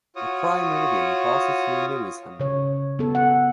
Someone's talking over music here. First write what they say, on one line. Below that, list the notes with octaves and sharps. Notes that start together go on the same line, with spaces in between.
The Prime Meridian passes through Lewisham.
F4 F#4 C#5 D#6
C#3 C#5
B3 A4
F#5